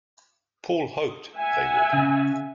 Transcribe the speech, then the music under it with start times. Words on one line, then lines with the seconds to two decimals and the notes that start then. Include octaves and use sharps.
Paul hoped they would.
1.37 E5 F#5 G#5
1.93 C#3